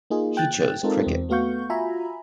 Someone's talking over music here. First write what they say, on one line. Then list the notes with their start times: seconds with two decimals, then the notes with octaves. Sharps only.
He chose cricket.
0.10 A#3 D#4 F4 G#4
0.37 G5 F#6 A6
0.83 G#3 C4 D#4 F4 A4 A#4
1.03 E2 C4
1.29 A3 B3 F#4 F5 C#6 G6
1.70 F4 F#4 E5 G#5 A#5 B5